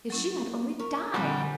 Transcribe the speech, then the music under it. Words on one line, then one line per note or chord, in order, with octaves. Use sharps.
If she had only died!
F#3 C#4 E4
A#4 C#6
A#2 D3 G3 C4 C5 F#5 G#5 A#5